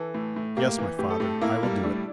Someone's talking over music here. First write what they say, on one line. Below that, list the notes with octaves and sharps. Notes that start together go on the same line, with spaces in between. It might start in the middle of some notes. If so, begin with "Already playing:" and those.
"Yes, my father, I will do it."
Already playing: E3 A4
A2
A2
A#3 G4
E3
A2 G4
A4
A2 G4
A#3 E4
G3
A2 D4